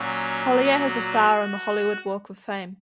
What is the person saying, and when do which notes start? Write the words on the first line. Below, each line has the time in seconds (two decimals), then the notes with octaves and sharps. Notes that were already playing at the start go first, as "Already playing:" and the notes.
Collier has a star on the Hollywood Walk of Fame.
Already playing: A#2 F#3 C#4
0.70 F#4